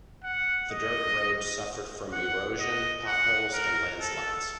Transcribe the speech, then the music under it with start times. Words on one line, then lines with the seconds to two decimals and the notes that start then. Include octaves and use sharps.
The dirt road suffered from erosion, potholes and landslides.
0.24 F#5
0.71 D#5
2.12 F#5
2.59 D#5
3.06 F#5
3.53 A#4
4.00 A4